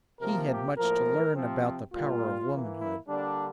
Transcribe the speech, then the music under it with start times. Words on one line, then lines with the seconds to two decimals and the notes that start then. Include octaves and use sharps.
He had much to learn about the power of womanhood.
0.20 C3 F3 A#3 A#4
0.48 G4
0.77 A2 F3 A#3 A#4
1.35 C3 F3 C4
1.92 A#2 G3 A#3 F4
2.50 E3 A#3
2.78 E4
3.06 D3 G3 A#3 D4